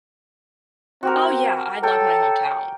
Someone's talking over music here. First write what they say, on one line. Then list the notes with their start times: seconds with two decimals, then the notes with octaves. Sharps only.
Oh, yeah, I love my hometown,
1.03 C4 F#4 G4 A#4
1.83 A4 C#5 G5